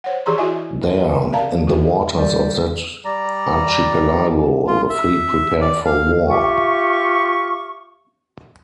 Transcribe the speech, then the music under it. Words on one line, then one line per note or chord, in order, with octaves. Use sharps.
There, in the waters of that archipelago, the fleet prepared for war.
C5 C#5 F#5
E3 G4 G#4 D5 A#5 C6
E4 F#4 G4 D#5 E5 G#5
A#4 D5 E5 F5 A5 A#5
E4 F#4
G3
G3 D5 A#5
F4
E5
D5
F5
F4 G4 E5 C#6